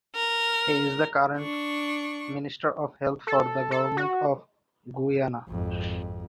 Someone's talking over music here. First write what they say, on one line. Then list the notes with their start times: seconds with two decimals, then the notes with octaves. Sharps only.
He is the current Minister of Health for the Government of Guyana.
0.13 A#4
1.36 D4 C#6
3.27 A4
3.71 A4
3.97 F#4
5.48 G#1 F2